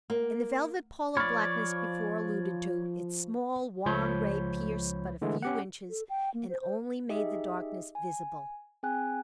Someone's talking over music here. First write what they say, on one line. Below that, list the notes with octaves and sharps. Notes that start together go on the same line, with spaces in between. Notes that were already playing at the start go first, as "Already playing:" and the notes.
In the velvet pall of blackness before alluded to, its small, wan ray pierced but a few inches, and only made the darkness visible.
A#3
F3 C#5 D5 B5 C#6 F6
C#2 F3 C#5 B5 G6
D3 E3 G#3 A3
C#4 G4 F#5
A4
G5
A#3
C5
C5
D#4 G4 G#4 D#5 E5
G#5
C4 G#4 G5 G#5 F#6